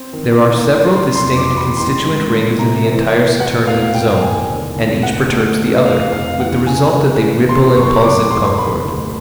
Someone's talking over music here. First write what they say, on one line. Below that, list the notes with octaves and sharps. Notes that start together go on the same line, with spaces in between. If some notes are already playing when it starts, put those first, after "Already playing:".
There are several distinct constituent rings in the entire Saturnian zone, and each perturbs the other, with the result that they ripple and pulse in concord.
Already playing: C4
D#3
A1
A1
F#3 C6
C6
F1
D6
E2
B5
A1 C6
G#2
A1
C3 A#5
E3
E3
B2 F#5
E1 F5
E1 G5
D#2 G#5
D3
D3
B2 F#5
A3
A3
E3 F5
F1 F5
E3 F#5
C#3 G#5
C#3
E3
E2 C6
F#1 C#6
C6
C#6
F#1 D6
E1 C6
E1 B5
D2